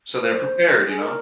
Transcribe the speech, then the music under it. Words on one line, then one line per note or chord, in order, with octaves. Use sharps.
so they're prepared, you know?
C5
G4
G#4
A#4